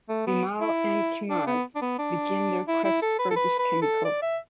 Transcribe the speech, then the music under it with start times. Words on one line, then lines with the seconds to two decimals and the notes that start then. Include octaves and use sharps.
Bimal and Kumar begin their quest for this chemical.
0.09 A3
0.27 B3
0.61 E4
1.30 D4
1.47 B3
1.76 D4
1.82 B3
1.99 D4
2.68 E4
2.84 E4
3.02 A4
3.19 B4
3.31 A4
3.36 B4
3.59 B4
3.82 A4
4.05 D5
4.22 E5